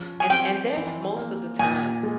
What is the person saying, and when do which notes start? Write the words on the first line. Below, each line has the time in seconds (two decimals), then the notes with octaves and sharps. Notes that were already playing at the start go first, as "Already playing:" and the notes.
and and that's, most of the time
Already playing: F3 C#4
0.20 G#5
0.30 C4 G5
0.74 E3
1.17 A#3
1.59 A#2 G#5
2.03 G#3